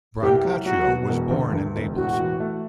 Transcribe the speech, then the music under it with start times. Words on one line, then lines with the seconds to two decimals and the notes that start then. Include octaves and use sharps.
Brancaccio was born in Naples.
0.23 C2 G4
0.44 F#3
0.66 F#3 F#4
0.87 B2
1.09 E1
1.31 D2
1.53 D2
1.76 E1
1.97 A2 F#4
2.19 E3
2.40 A3